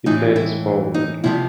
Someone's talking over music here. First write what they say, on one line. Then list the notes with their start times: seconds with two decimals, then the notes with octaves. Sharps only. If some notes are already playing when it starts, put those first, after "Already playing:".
He played as forward.
0.06 A2 E3 G#3 D#4
0.36 E4
0.94 D#4
1.24 C3 F3 G#3 E4